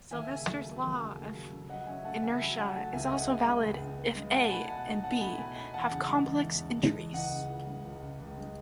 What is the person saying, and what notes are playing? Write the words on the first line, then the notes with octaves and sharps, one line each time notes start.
Sylvester's law of inertia is also valid if "A" and "B" have complex entries.
D#2 E5 G#5
C#3
A3
F#3
D#2
C#3
A3
F#3
C#3
F#3 D#5 F#5
C#4 E5 G#5
A3 F#5 A5
C#3 E5 G#5
F#3 G#5 B5
C#4 F#5 A5
A3 F#5 A5
C#2 E5 G#5
C#3 D#5 F#5
B3 E5 G#5
G#3 G#5 B5
C#2
C#3
B3
G#3
B2 F#5 A5
A3 G#5 B5
B2 F#5 A5
D#4
B2 F#5 A5
A3 G#5 B5
B2 G#5 B5
D#4 G#5 B5
E2 F#5 A5
C#3
G#3
E3
E2
C#3
G#3
E3
C#2 D#5 F#5
C#3
C#2
G#3
C#2
C#3
C#2
G#3